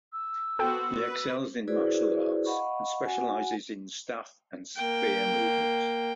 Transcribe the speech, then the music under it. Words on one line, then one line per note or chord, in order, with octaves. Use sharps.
He excels in martial arts and specialises in staff and spear movements.
E6
B3 F#4 A4 C5 G5
B4
E4 F#4 G#4 B4 C5 D5
D#5 F5 F#5 B5 C#6
F#4 F#5 G#5
A#3 G5